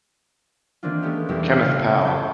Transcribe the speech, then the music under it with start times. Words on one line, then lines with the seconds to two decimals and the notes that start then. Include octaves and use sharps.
Kenneth Powell.
0.83 D#3 E3 A#3 C4 D4 F4
1.02 G#3 A3 B3 C#4 E4 G4
1.28 B1 E2 G3 A#3 G4 E5
1.47 F#4 G#4 C5 F5
1.61 C#3 A3 C#4 F4 G4
2.04 A5 B5 C#6 D6 G6 G#6